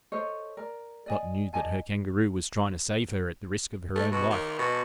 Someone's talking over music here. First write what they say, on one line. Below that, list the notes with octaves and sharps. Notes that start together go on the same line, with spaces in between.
Dot knew that her Kangaroo was trying to save her at the risk of her own life.
A4 C5 C#5 D#5
A#4 D5
D5 D#5 G#5
D5 D#5 G#5 A5
A3
B2
D#3
B2